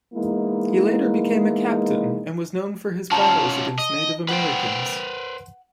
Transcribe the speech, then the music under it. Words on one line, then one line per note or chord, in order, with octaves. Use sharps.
He later became a captain and was known for his battles against Native Americans.
E3 G#3 A#3 B3 D#4 E4
C#4 F4 F#4 A5 A#5 G6
D#5
B4 C5 F#5 G5